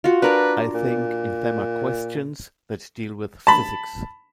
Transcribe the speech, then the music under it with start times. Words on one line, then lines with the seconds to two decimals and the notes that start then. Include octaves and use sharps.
I think in them are questions that deal with physics.
0.04 F4 F#4
0.22 D4 A#4 B4 D5
0.74 A#2
3.47 A5 B5